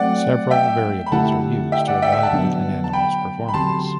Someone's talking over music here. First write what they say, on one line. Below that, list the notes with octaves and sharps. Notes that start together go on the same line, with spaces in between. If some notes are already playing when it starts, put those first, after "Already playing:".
Several variables are used to evaluate an animal's performance.
Already playing: F#3 A3 C4 D5 F#5
E5 G5
B5
D3 A3 E4 G4 F#5 A5
E5 G5
D5 F#5
E5 G5
E5 G5
F#5 A5
D3 F#3 B3 D4
A5
G5 B5
B5
D3 F#3 C4 G4 A5 C6